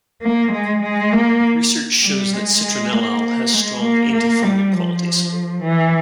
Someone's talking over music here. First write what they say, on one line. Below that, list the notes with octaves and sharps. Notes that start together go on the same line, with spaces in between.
Research shows that citronellal has strong antifungal qualities.
A#3
G#3
G#3
A#3
G3
G#3
G#3
A#3
G#3
A#3
A#3
G3
F3
E3